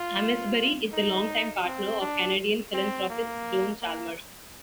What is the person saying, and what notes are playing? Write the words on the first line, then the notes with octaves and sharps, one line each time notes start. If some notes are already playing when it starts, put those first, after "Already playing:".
Amesbury is the long-time partner of Canadian philanthropist Joan Chalmers.
Already playing: F4
D#4
C4
D4
C4
A#3
A#3